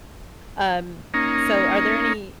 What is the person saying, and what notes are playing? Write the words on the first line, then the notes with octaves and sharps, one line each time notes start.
Um, so, are there any
A#3 C#4 D#4